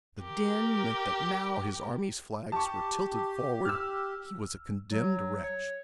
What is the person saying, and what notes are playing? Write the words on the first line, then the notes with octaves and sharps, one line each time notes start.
If the din meant that now his army's flags were tilted forward he was a condemned wretch.
G4 A#4
G4 A5 C#6
E6 F6
F#3
C#5